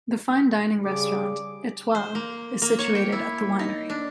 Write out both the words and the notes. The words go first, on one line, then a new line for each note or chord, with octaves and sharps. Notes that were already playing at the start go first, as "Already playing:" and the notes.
The fine dining restaurant "etoile" is situated at the winery.
C#3 G3 G#4 D6
C5
A#3
A#3
C#5
G5
E4
D#4
D4